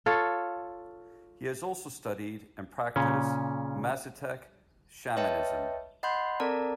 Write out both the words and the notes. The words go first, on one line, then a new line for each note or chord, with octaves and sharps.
He has also studied and practiced Mazatec shamanism.
F4 A4 C#5
A#2 C#3 C#4
B4 C#5 D#5 E5 G5 A5
D#5 F#5 B5 C6 G6
C4 A4 A#4 D5 A5 A#5